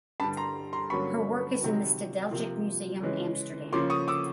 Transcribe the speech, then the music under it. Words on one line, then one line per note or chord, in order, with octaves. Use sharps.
Her work is in the Stedelijk Museum Amsterdam.
G2 D3 G3 A5 B5
A#5 C6
A#5 C6
G2 D3 F#3 A#3 C#4 B5 C#6
C3 D#3 F#3
C3 F3 A#3
C#3 E3 G#3 C#4
C#3 F3 A#3 C#4 C6 D6
C#6 D#6
D6 E6